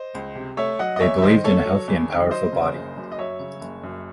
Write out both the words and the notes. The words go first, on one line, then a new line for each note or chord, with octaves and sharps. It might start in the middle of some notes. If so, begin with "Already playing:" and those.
They believed in a healthy and powerful body.
Already playing: C5 D#5
C#2
C3
A3 C#5 E5
F#3 D#5 F#5
D#5
E2 C#5 E5
E5
D#3 C5 D#5
A3 A4 C#5
F#3
E2
D#3
F#3 C5 D#5
C#3
F#1
F#2
D#5
F#3 C#5 E5
C#3
F#1
F#2